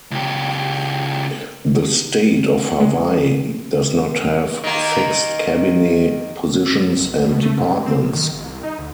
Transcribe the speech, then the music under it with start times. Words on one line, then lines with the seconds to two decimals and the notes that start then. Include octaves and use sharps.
The state of Hawaii does not have fixed cabinet positions and departments.
0.11 C#2 G4
2.80 G#3
4.64 D#3 A#3
6.99 B1
7.24 B2
7.42 A3
7.57 C3
7.70 G2
7.86 C4
8.00 F1
8.14 D#3
8.31 G#1
8.44 C2
8.63 D#4
8.79 D2